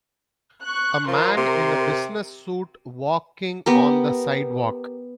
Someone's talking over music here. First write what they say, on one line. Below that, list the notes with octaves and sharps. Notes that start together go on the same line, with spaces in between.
A man in a business suit walking on the sidewalk.
C#6 F#6
F3 A#4 C6
C3
B3 G4 A#4